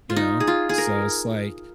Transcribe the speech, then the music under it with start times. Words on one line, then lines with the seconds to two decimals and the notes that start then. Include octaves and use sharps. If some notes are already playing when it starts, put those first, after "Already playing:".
you know? So it's like,
0.10 F4
0.16 D#4
0.40 G#4
0.47 F4
0.69 G#4
0.78 A#4